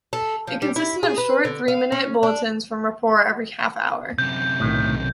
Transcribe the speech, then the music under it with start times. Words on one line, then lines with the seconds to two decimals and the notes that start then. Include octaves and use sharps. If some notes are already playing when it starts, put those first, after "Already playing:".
It consisted of short three-minute bulletins from "Rapport" every half-hour.
0.13 A4
0.47 F3
0.62 G3
0.76 E4
1.03 G#4
1.18 B4
1.45 D3
1.68 F5
1.92 C#4
2.23 D4
4.18 F#2 C3 G6
4.60 B1 A2 D#3